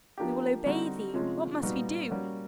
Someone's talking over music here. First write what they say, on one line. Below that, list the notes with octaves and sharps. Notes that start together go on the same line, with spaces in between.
We will obey thee, what must we do?
F3 A#3 D4 G4
D3 G3 C4 D#4 F#4
C3 F3 G#3 C#4 F4
A#2 G3 B3 D#4 F#4
G3 A#3 C#4 F#4